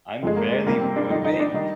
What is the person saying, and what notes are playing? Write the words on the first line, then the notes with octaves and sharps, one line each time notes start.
I'm barely moving,
G1 G2 D3 F3 G#3
A#3
G#3
F2 C3 G3 A#3
C4
D4
G1 F2 D3 G3 D#4
D#4
D4
D#3 G3 D#4